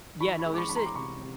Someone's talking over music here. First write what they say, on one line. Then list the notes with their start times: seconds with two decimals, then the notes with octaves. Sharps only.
Yeah, no, there's a
0.20 E3 B5 C#6
0.39 B5 C#6
0.46 G#3
0.54 D6
0.57 B5 C#6
0.69 E3 B5
0.76 A#5 C6
0.86 D6
0.95 C3 B5 C#6
1.21 C3